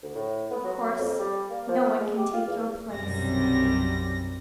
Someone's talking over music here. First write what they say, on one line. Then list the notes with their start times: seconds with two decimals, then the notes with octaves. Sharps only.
Of course, no one can take your place....
0.03 D2
0.15 A2
0.51 B3
0.65 F#3
0.98 F2
1.19 G3
1.50 A#3
1.68 F3
2.00 G#3
2.17 G4
2.33 F4
2.47 E2
2.92 B1 F#2 C3 G3 A#6